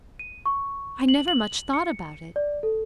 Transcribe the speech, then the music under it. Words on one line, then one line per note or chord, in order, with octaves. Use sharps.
I never much thought about it.
D#7
C#6
F#7
F#7
C#7
D5
A4